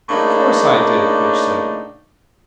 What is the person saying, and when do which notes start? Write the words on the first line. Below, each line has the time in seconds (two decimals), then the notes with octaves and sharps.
"Of course, I did," Fitch said.
0.09 A2 C#3 A#3 D4 D#4